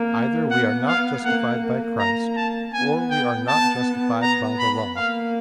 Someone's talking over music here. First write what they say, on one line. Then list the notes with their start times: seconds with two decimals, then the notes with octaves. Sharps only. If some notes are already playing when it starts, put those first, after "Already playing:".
Either we are not justified by Christ, or we are not justified by the Law.
Already playing: A#3
0.51 B3 F#5
0.88 F5
1.25 A#3 F#5
1.63 A#3
1.99 A#5
2.37 A5
2.74 B3 G#5
3.11 G5
3.48 B3 A5
4.22 A#5
4.59 B5
4.96 A#3 F5